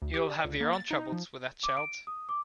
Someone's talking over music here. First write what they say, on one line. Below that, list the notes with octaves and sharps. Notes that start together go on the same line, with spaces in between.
You’ll have your own troubles with that child.
D2
G4
D5
C#2
A#3
A6
D#4
F3
D6
D7
D#6
D6